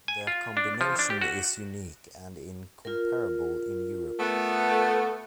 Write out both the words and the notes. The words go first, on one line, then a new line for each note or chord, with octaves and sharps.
Their combination is unique and incomparable in Europe.
G#5
F4
D4
F3
D4
G4
F#4
F4 A#4
A3 B3